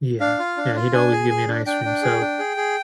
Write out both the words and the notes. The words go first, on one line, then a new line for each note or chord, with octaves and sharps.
Yeah. Yeah, he'd always give me an ice cream. So,
D4 F5
F4
D4
F4
D4 G#5
G#4
G#4
D4
D4 G5
D4
G#4
D4
G#4
G#4